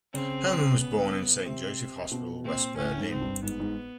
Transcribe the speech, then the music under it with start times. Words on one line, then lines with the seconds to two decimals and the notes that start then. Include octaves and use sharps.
Hermann was born in Saint Joseph's hospital in West Berlin.
0.13 C#3 C4
0.80 B3
1.45 C3 C4
2.12 B2
2.44 A#2 C4
2.77 A2 C#4
2.99 G#2
3.10 C4
3.21 G2
3.43 G#2 B3
3.60 G#2